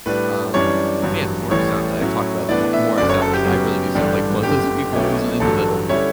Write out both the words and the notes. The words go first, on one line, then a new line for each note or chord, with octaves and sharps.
Um, man, the more I sound that I talk about, the more more I sound like I really do sound like one of those people who isn't in the middle.
A2 G3 D4 B4
F#2 E3 G3 D4 C#5
A1 G2 F#3
A1 A2 E3 G3 C#5
A2 F#3 C#4 E4
A2 E3 B3 D4 D5
E5
F#1 F#2 D3 F#3 D5
C#5
A4
G4
F#2 C#3 F#3 B3
A1 G2 D3 G3 D4
G1 F#2 D3 G4
B1 B2 A3 C#4 E4
A1 G2 D3 F#3 A4
D3 G3 C#4 E4 C#5